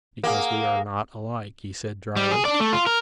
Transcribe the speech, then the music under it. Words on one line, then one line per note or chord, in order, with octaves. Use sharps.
"Because we are not alike," he said drily.
A#3 G#4 F5 F#5
G3
G#4
D4 D5
A3
F4
A#4